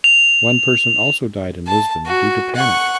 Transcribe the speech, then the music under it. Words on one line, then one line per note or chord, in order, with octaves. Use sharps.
One person also died in Lisbon due to panic.
F7
A5
F#4
F#5 C#6